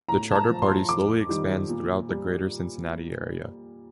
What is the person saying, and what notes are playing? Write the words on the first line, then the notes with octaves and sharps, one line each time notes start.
The Charter Party slowly expands throughout the Greater Cincinnati area.
A2 A#5
A5
A#5
F3
C6
F2 D6
D#3 G3
A#2
G3